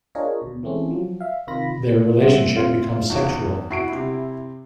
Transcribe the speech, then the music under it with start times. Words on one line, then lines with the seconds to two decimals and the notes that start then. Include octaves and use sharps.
Their relationship becomes sexual.
0.15 D4 F4 G#4 A#4 C#5 D#5
0.42 D2 B2
0.63 E3 G#3 A3 C4 C#4
0.91 F3 F#3
1.20 E5 F5
1.47 C3 D#3 F4 B5 A#6
2.20 G3 C4 G4 E5 F#5
2.56 C4 F4
3.10 E2 D#4 F#4
3.71 E4 F#4 C7 D7
3.92 C3